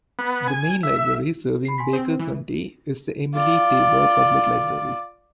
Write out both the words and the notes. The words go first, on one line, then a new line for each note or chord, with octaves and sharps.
The main library serving Baker County is the Emily Taber Public Library.
B3
G#5
E5
B5 C7
G#5 C6 B6
C4 D#6
E3
F4 D5